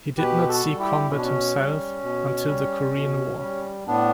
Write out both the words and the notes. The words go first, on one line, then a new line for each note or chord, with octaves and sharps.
He did not see combat himself until the Korean War.
B2 G4 B4
F#4 A4
G3
E4 G4
B2 C#4
D4
C#4
G3
B2
G3
B2
G3
A2 B3 D4